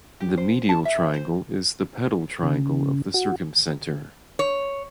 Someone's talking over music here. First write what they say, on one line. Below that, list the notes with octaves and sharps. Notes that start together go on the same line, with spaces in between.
The medial triangle is the pedal triangle of the circumcenter.
G4
C5
A5
E5
C5
C#3
F#4
C#5